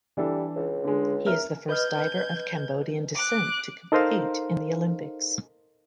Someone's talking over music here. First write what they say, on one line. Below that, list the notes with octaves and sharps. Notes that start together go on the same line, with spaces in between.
He is the first diver of Cambodian descent to compete in the Olympics.
E3 G3 D4 A4
C#2
D3 G#3
A#4 E5 F6
B4 D#5 F6 G6 G#6
D6 F#6
D#4 A4 A#4 C5 D#5 F5